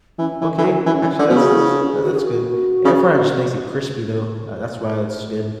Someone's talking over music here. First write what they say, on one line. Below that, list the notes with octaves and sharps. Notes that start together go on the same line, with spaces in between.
Okay, actually, that's that's th that's good. Air fryer just makes it crispy, though, ah, that's why it's good.
E3 C#4
E3
E3
F#3
E3
E3
D3
B2
C#3 F#4
E4
D4
G#4
F#4
G#4
F#4
C#3